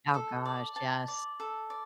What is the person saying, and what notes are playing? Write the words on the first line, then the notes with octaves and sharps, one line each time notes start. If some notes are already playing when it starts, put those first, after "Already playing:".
Oh, gosh, yes.
A4
D5
A5
D5
A4
D5